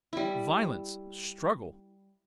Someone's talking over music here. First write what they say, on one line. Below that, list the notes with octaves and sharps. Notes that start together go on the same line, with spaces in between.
"Violence! Struggle!"
G3 E4